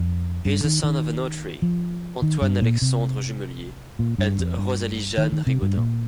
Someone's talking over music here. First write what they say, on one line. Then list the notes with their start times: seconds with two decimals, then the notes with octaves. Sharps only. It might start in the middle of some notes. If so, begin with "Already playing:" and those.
He is the son of a notary, Antoine Alexandre Jullemier, and Rosalie Jeanne Rigaudin.
Already playing: F2
0.45 G2
0.64 D#3
0.83 D#3
1.62 F3
2.22 D#3
2.42 G2
2.62 A#2
2.82 C3
3.99 A#2
4.18 G2
4.39 F2
4.58 G2
5.18 D#3
5.32 D#3
5.47 C3
5.62 G2
5.77 A#2